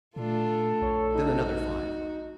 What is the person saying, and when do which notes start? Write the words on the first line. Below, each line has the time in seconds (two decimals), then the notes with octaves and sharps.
Then another five.
0.16 A#2 A3 D4 F4 A4
0.82 A#1 C#5
1.14 D#4 F#4